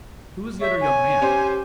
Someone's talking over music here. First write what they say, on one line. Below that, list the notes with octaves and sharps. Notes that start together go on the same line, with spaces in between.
"Who is the other young man?"
C#5 E5
G#5
C#4 G4 C5